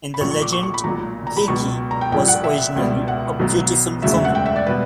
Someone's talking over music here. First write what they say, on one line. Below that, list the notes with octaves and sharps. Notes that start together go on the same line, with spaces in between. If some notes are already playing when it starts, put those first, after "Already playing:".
In the legend, Bheki was originally a beautiful woman.
B5
A#1 A#2 F#3 C#6
C#6
D6
C#6
C#6
B5
B1 A#2 F#3 A#5
A#5
B5
C#2 B2 F#3 C#6
A#5
G5
A#1 A#2 G3 G5
F#5
E5
C#2 B2 G3
F#5
B1 B2 F#3
E1 D2 C#3 F#3 E5
E5
F#5
G5
E5
D5
B2 G3 B4